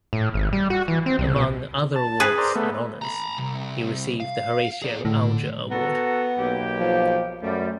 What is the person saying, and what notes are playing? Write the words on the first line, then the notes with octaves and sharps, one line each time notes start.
Among other awards and honors, he received the Horatio Alger Award.
A2
G#1
G3
F#4
E3
C4
C2
B2
A5
G#4 B4
A#4 C5 D5
A3 B3
A#5 B5
C2
F5
G#4 D5
A2 D3
B3 F#4 A4 A#5
B1 A#3 G4 G5
F3
F#2 G3 A3